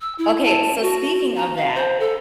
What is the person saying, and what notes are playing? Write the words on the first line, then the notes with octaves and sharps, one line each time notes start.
Okay, so speaking of that,
E6
E4
A5
F#4
A#5
F5
C5
A4